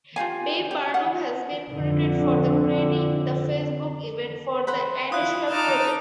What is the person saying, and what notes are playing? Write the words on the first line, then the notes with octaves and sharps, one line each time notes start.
Bev Barnum has been credited for creating the Facebook event for the initial protest.
F4 G4 F5 G#5
G4
F#5
F2 D3
C5 F#5 B5
E4 F4 D#6 F#6
D#4 A5 D6 F6